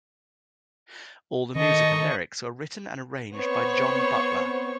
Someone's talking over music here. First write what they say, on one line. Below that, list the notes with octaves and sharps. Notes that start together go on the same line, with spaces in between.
All the music and lyrics were written and arranged by John Butler.
D#3 D#4 A4 D#5 C#6
B3 C4 C5 C#5 C#6